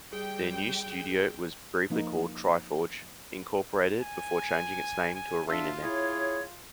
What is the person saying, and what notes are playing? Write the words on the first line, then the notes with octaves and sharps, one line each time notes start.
Their new studio was briefly called Triforge, Incorporated before changing its name to ArenaNet.
G3 G#4 G5
F3 A#3 D#4
G#5
G#5
D4 F4 E5
E4 G#4 C#5